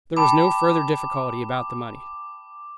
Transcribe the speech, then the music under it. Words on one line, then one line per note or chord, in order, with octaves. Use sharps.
There was no further difficulty about the money.
G5 A5 B5 D6